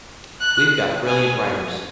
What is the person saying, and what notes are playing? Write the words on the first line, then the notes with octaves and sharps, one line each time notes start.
We've got brilliant writers.
F#6
G#5